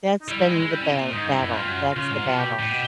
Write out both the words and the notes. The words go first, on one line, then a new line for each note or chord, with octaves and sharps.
That's been the bal battle, that's the battle.
D#4
G3 E4
G3
G#3
G#3
G3
C#3
C3
A#2
G#2 D#4
G2
E4
F#2
G2 F4
F#2
C#3 F4
G#2
C3
B2 G4
A2
B2